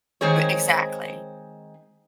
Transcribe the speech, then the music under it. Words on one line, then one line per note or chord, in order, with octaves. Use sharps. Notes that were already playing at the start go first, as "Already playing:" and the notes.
But exactly.
D#3 G#3 C4 G#4 C#5